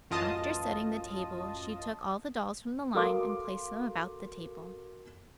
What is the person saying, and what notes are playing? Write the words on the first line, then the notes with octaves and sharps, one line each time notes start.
After setting the table she took all the dolls from the line and placed them about the table.
A1 F#2 F4 D#5 A5 D#6
F#4 A4 A#4 F5 C6 D6